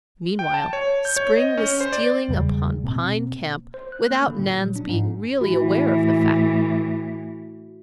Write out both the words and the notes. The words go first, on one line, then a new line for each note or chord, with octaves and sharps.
Meanwhile spring was stealing upon Pine Camp without Nan's being really aware of the fact.
G5
A5
C#5
G6
C#5
D#5
C#4
C5
D5
E2 C#3 G3 G#3
B2 A#3 C4
C5
F#6
A#3
D3
A#2
F#3
D4
G#2
A2 E3 F#4